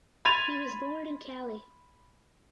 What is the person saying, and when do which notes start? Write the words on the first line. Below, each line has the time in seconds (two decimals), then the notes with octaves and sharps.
He was born in Cali.
0.25 B5 C6 G#6 A6 D#7 F7